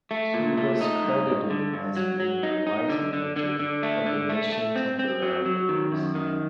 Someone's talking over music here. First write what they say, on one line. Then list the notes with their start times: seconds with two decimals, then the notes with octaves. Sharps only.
He was credited as being a wise manager of the mission temporalities.
0.11 A3
0.34 A#2
0.57 A3
0.81 D#4
1.04 G2
1.27 G2
1.50 D3
1.73 G2
1.97 F#3
2.20 F#3
2.43 D#4
2.67 D#4
2.89 D3
3.13 D3
3.36 D3
3.59 D3
3.83 A3
4.06 D3
4.29 A3
4.52 A3
4.76 C4
4.99 C4
5.22 F#3
5.46 F#3
5.69 D#3
5.92 F#2
6.15 D#3